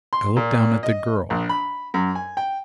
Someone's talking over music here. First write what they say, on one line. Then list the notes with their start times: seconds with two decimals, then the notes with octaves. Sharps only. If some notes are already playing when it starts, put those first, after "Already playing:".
I looked down at the girl.
0.13 C6
0.37 A#2
0.83 D#5
1.30 A#1
1.49 B5
1.94 F#2
2.15 G#5
2.37 G5